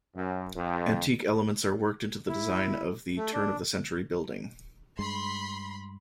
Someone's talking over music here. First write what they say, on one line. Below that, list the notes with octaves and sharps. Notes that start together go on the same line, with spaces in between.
Antique elements are worked into the design of the turn-of-the-century building.
F#2
F2
E4
A3
D4
G2 G#3 B5 C6